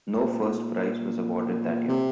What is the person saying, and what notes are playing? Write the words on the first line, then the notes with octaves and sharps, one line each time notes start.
No first prize was awarded that year.
A#2
C3